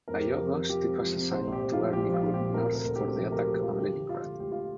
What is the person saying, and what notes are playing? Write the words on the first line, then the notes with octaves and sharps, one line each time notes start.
By August, it was assigned to Army Group North for the attack on Leningrad.
F2 A#4
C3 G4
A#4
F3
C3
F3 G4
C3
F3
C3
A#1 C5
A#1
G4
A#1
F4
F3
A#1 G4
F3 F4
A#2
G4
A#2
C3 A#4
D2
A#4
D2
G4
C3
F3 G4
G4
D2 A#4
F3 G4
F3 F4
D3 G4
D3
D3 F4
D3
D2 G4
F4